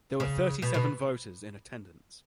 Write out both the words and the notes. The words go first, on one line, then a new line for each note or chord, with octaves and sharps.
There were thirty-seven voters in attendance.
C#3
B2
B2